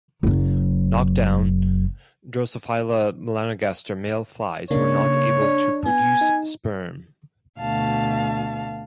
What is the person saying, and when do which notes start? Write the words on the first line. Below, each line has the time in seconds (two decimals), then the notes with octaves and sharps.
Knockdown "Drosophila melanogaster" male flies were not able to produce sperm.
0.23 F#1 F#3
4.71 C#3 A#3 D4 C#5
5.42 D4
5.86 B3 G#5
6.21 D#4
7.60 D2 B2 F5 A5